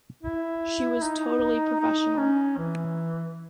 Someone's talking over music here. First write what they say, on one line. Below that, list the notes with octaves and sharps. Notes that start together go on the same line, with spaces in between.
She was totally professional.
E4
D#4
D#4
C#4
E3